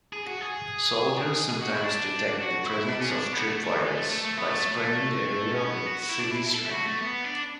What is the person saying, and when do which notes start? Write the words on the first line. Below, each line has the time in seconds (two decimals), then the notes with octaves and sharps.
Soldiers sometimes detect the presence of tripwires by spraying the area with Silly String.
0.13 G#4
0.27 F#4
0.41 G#4
1.49 G#4
1.62 F#4
1.72 E4
1.84 D4
2.42 F#4
2.65 E4
2.88 D4
3.01 C#4
3.10 D4
3.33 B3
3.48 A3
3.64 A3
3.79 G#3
3.95 A3
4.10 A3
4.25 A3
4.37 B3
4.48 A3
5.51 C#4
5.63 B3
5.86 F#4
6.09 E4
6.20 D4
6.31 E4
6.54 A4
6.66 E4
6.70 F#4
6.85 A3
7.01 B3
7.24 D4